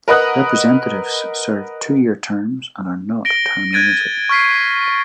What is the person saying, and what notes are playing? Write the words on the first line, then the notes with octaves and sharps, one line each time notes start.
Representatives serve two year terms and are not term limited.
A#4 B4 D#5 F#5 D#6 F#6
A#6 D7 G7
F#6 G#6 A6 D7 D#7
C#6 F6 B6 C7